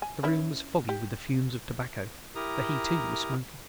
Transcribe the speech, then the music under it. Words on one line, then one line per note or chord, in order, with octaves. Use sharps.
The room was foggy with the fumes of tobacco, for he, too, was smoking.
G#5
C#4 E4 B4
G4
E4 G4 A#4 A#5 D#6